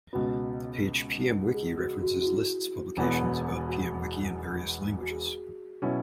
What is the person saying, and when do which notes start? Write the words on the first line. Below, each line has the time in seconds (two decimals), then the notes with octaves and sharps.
The page PmWiki References lists publications about PmWiki in various languages.
0.13 C#2 B2 B3 F#4
1.54 G#4
1.79 F#4
2.03 F#4
2.22 F#4
2.27 E4
2.97 E1 E2 B2 B3
3.69 F#4
5.01 F#4
5.11 G#4
5.82 B2 F#3 C#4 E4